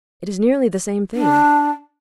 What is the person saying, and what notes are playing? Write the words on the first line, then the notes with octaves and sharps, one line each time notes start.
It is nearly the same thing.
D4